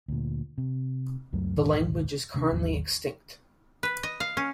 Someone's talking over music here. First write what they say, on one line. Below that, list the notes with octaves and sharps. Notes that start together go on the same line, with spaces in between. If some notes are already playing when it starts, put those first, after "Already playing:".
The language is currently extinct.
D2 A#2
C3
C#2 F#2 F#3 A3
D#1 B1 G#2 D#3
D2 C3 G3 D4
G#1 D#2 D#3 F#3
B4
D#5
F5
C#4